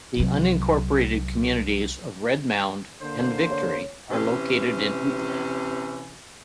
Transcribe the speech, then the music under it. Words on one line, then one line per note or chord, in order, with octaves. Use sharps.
The unincorporated communities of Red Mound, and Victory are located in Wheatland.
C2 F#3
D3 A#3 C5
C#5
C3 E3 C#4